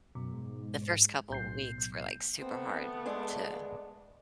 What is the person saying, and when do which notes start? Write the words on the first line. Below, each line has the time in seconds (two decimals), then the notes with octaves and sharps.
The first couple weeks were, like, super hard to
0.15 F#2 B2
0.33 G#2
1.30 B1 A2 G6 C7
2.41 A3 B3 C4
3.06 G#3 D4